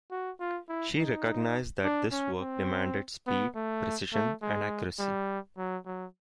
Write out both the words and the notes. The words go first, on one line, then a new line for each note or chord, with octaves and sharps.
She recognized that this work demanded speed, precision and accuracy.
F#4
F4
E4
D#4
D4
C#4
C4
B3
A3
A3
G#3
G3
F#3
F#3